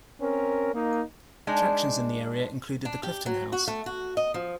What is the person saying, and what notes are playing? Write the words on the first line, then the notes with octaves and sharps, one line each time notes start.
Attractions in the area included the Clifton House.
C4 C#4 A#4
A#3 D#4
G#3 D4 D#4
D4
G4
F#3
F#4
A3
F#4
D#5
F3